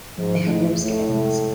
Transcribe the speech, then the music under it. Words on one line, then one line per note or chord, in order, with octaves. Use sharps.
They have no scales.
G#2 F3
G#2 A3 E4
F2 A2
C3 G#3